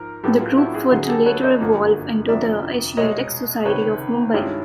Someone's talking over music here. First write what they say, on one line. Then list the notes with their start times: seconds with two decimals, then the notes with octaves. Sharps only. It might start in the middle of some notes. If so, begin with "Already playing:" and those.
The group would later evolve into the Asiatic Society of Mumbai.
Already playing: G#2 F3 A#4
0.23 A2 F#3 B3 G4 A4
0.41 F4
0.58 E4 F#4
0.74 F#4 G#4
0.91 D2 D3 F#3 F#4 G#4
1.03 G#4
1.09 G4 A4
1.26 B4 C#5
1.43 C#5 D#5
1.60 G1 F#2 D3 F3 A#3
2.28 F1 F2 D3 F3 D5 E5
2.97 C2 B2 G#3 C#5 D#5
3.65 C#2 C3 D#3 B4 C#5
4.34 G2 D#3 G#3 C#4 E4 F4 G4